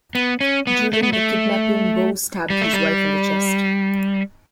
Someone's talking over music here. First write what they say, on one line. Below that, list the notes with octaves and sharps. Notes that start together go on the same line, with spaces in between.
During the kidnapping, Bowe stabbed his wife in the chest.
B3
C#4
B3
A3
B3
A3
G3
A3
G3